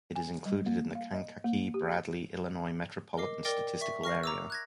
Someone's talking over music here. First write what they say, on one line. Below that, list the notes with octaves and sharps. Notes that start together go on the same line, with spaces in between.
It is included in the Kankakee-Bradley, Illinois Metropolitan Statistical Area.
G#5
G3
A#3
F5
D#5
A#3
G4
A#4 D#5 D6 C7
A#4 D5 G5 D6 A#6
E5 C#6 B6
C#6 F6 A#6 C7
A#5 D6 E6
F#6 G#6 A#6